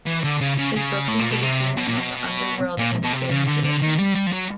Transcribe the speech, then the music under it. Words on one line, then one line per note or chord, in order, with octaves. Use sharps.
His books include a series on the underworld and faery traditions.
E3
D3
C#3
C#3
C#3
A2
A#2
B2
C3
B2
A#2
B2
A#2
B2
C3
C#3
D3
D3
D#3
G3
G3
F3
F#3